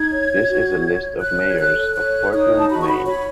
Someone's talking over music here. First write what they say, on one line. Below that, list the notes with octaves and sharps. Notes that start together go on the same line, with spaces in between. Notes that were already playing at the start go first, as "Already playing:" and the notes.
This is a list of mayors of Portland, Maine.
Already playing: D#4 G#6
C#5
F#4
C#5
C#5 F#6
G#6
A4 F#6
C#5 F#6
D#4 D#6
A5
F#4 B5
C#6
B5
C#5 B5